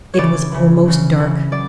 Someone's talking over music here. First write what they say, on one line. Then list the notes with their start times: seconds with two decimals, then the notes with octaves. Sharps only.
It was almost dark.
0.14 C#3 E3 C#5 D5
0.52 C#3 E3
0.85 C#3 E3
1.19 C#3 E3
1.52 F#3 D5